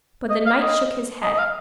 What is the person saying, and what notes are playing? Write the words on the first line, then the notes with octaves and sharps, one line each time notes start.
But the knight shook his head.
D#5
F5
D#5
D#5
D#5
F5